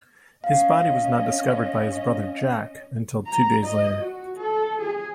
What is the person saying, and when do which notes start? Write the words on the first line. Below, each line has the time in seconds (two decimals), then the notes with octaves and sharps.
His body was not discovered by his brother, Jack, until two days later.
0.44 C#4 D#5 F5
3.26 A#5
3.65 D#5
4.02 F#4
4.38 A4
4.82 G#4